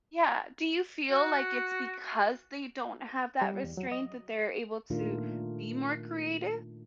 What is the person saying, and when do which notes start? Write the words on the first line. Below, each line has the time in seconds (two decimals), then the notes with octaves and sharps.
Yeah, do you feel like it's because they don't have that restraint that they're able to be more creative?
1.11 F#4
3.42 G3
3.64 E2
3.77 F#3
3.92 D#5
4.90 A#2 D#3 A3 D4 F4 A#4